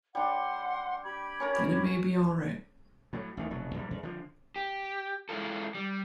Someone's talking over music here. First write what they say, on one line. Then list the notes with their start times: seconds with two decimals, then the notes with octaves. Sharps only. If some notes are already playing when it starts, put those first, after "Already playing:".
Then it may be all right.
0.15 G3 D4 F#5 C6
1.04 G4 B5 G#6
1.40 C#4 A#4 A5
3.13 A2 F#3
3.37 A1 D2 D#3
3.51 F1 B2 F#3
3.74 A#1 G#2 C#3 G3
3.91 E2
4.03 D3 F3
4.56 G4
5.29 G#3 E4 F4 A4
5.75 G3